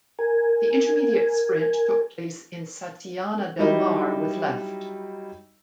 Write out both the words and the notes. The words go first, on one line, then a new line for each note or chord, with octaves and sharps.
The intermediate sprint took place in Santillana del Mar with left.
A#4 G#5
F#3 G3 D#4 E4 D#5